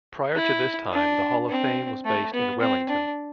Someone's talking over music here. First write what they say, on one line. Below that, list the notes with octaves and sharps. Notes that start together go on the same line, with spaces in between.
Prior to this time the Hall of Fame was based in Wellington.
E4
D4
C4
A3
B3
C4
D4